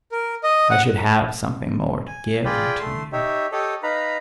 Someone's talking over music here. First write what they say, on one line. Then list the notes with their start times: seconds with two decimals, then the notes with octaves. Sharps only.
I should have something more to give unto you!
0.12 A#4
0.43 D#5
0.71 F#5
2.07 G#5
2.45 F4 G#4 D5 G5 B5
2.80 A3 C6
3.12 D#4 G4 C#5 E5
3.52 G4 A4 C#5 D#5
3.83 D#4 B4 F5 A#5 B5